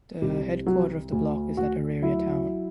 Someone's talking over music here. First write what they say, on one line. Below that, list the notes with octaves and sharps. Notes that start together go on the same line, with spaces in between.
The headquarter of the block is at Araria town.
C2 G3
F#3
D2
D2 F#4
F#3 E4